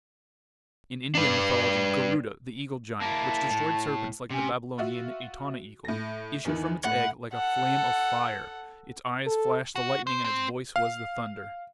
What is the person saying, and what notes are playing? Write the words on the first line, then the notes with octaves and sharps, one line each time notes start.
In Indian mythology Garuda, the eagle giant, which destroyed serpents like the Babylonian Etana eagle, issued from its egg like a flame of fire; its eyes flashed the lightning and its voice was the thunder.
D4 B4
A#3 E4 A5
A2
C3 C#4
F4 F#4 E5
A2 A#6
E2 D#3 E3
A2 F#5
A4 F#5
A4
F#4
C5
C4
F5